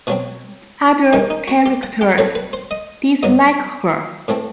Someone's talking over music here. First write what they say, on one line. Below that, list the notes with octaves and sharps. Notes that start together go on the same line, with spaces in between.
Other characters dislike her.
B2 F#3 C4 F#4
E2 C3 D#3 G3 D#4
D#4
F#4
G4
F#5
G4
A2 F#3 A3 C4 B4
B4
C5
D#5
G2 F#3 B3 D#5
A2 E3 A3 C4